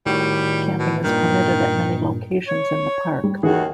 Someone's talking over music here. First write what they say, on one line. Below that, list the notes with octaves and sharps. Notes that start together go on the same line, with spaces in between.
Camping is permitted at many locations in the park.
A2 D#3 G3 F#4
B2
G2 A#2 D#3
C#5
G3
D#2 E3 F#4 G#4